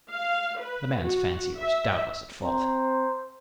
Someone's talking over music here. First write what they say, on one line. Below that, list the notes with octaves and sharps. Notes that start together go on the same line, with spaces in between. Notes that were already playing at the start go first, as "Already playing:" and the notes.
The man's fancy was doubtless at fault.
F5
B4
F#4
E5
C4 C5 A#5